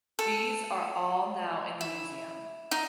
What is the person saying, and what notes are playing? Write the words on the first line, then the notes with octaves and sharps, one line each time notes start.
These are all now in the museum.
A4
E4
D#4